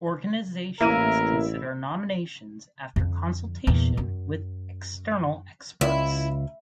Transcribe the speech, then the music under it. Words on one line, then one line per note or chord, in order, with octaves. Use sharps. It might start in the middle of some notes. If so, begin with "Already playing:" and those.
Organisations consider nominations after consultation with external experts.
A1 A#3 E4 A#4 D#7
F2 D3
E2 A#2
F#2
C#2 E4